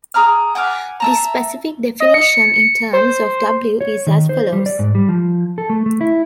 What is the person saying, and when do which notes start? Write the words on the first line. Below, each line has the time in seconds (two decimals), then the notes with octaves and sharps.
The specific definition in terms of "W" is as follows.
0.14 G#4 A#5 D6 F6
0.55 F#5 G#5 D6 F6
1.00 E5 A5 A#5
2.00 D#5
2.14 C#7
2.93 C5
3.81 C#5
4.07 D#3
4.29 C5
4.53 G3
4.66 D5
4.79 G#2
4.95 G3
5.09 F3
5.58 A4
5.70 A3
5.86 A3
6.01 E4